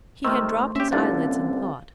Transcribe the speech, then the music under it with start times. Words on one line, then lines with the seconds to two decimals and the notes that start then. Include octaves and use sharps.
He had dropped his eyelids in thought.
0.25 C3 D#3 A3 C5 C6 C#6 E6 F6
0.76 A#3 C#4 G4 E5
0.92 G1 C2 D3 D#4 F5 A6
1.16 C4